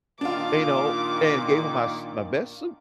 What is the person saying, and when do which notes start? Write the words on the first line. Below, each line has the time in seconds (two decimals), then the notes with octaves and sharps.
you know, and gave 'em my s my best suit
0.21 A#2 D#3 D4 F4 D6